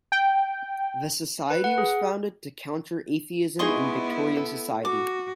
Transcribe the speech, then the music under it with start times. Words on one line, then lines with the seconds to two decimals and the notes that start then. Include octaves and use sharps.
The society was founded to counter atheism in Victorian society.
0.12 G5
1.50 B4
1.64 F#5
1.78 G#4
3.59 G#3 B3 D#4 E4 G#4 D#5 C6 C#6
4.37 A4
4.85 F#4 D6